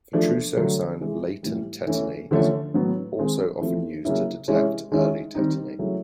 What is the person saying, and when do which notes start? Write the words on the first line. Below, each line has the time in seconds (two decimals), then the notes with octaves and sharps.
The Trousseau sign of latent tetany is also often used to detect early tetany.
0.13 F3 A3 D4
0.57 D3 F#3 A3
1.00 C3 E3 G#3
1.43 A2 E3 G3
1.87 E3 A3 C#4 E4
2.31 D3 F3 A3 C#4
2.74 A2 F#3 B3
3.18 D#3 G#3 C4 D#4
3.61 F3 A3 C4 E4
4.05 C#3 F#3 A#3 C#4 E4
4.48 C3 E3 G#3 C#4 E4
4.92 D#3 G#3 C#4 E4
5.35 D#3 G3 C4 D#4
5.79 C#3 F#3 A3 C#4 E4